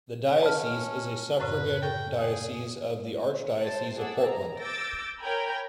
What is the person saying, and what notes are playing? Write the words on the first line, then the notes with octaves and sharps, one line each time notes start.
The diocese is a suffragan diocese of the Archdiocese of Portland.
C#4 B4 A5 B5 F6
F#2 A2 C#3 B4
A4 A#4 G5 C#6
G#4
C5 A5
G#4 A4 D5 F#5 E6
A#5
D6 E6 G6 A6 A#6 D7
A#4 C#5 G5 G#5 A#5 B5